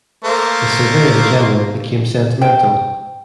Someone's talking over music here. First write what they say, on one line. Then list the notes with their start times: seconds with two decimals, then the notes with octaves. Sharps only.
The Surveyor-General became sentimental.
0.24 A3 A#3 C5
2.42 G5